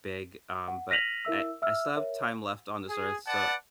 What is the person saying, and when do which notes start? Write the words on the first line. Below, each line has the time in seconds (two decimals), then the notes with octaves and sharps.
big, um, but I I still have time left on this earth, so,
0.68 F#5
0.90 F6 A#6 B6 D#7 F7 F#7
1.25 E4 A#4 E5 E6
1.62 E5 E6 F6
1.95 A#4 C5 C#5 E5
2.88 G#4
3.27 B4 D5 F#5 A5